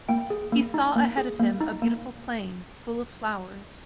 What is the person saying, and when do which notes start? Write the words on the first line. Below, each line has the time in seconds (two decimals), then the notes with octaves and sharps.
He saw ahead of him a beautiful plain full of flowers.
0.09 A#3 G5
0.30 G#4
0.52 A#3
0.74 D#4
0.96 A#3
1.17 G#4
1.39 A#3
1.61 D#4
1.82 A#3